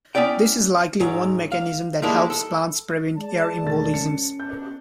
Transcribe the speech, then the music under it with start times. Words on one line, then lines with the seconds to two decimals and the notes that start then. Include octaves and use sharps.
This is likely one mechanism that helps plants prevent air embolisms.
0.15 B3 C#4 E4 D5 G5
1.00 G#2 F#3
1.52 F5
2.02 D#3 F3 G3 G#3 A#3 E4
2.30 A4
3.17 G#3 D5 A5
3.62 E1 A3 A6
3.94 C#4 C#7
4.40 B2 D4 G6